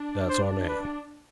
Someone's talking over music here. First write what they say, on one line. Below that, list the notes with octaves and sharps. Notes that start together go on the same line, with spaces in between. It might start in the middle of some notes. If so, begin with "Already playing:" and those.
That's our man.'
Already playing: D4
C5
B4